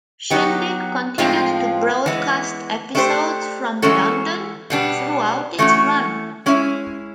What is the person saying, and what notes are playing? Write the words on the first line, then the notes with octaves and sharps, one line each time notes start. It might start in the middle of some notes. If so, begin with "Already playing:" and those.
"Shindig" continued to broadcast episodes from London throughout its run.
F#3 B3 D#4 G4
A2 F3 G#3 C4 F4
E3 G#3 B3
A3 D4 G4 C5
E3 G#3 C#4 F#4 A4
B2 G3 B3 D4
E3 A3 C#4 F#4
G#3 C#4 E4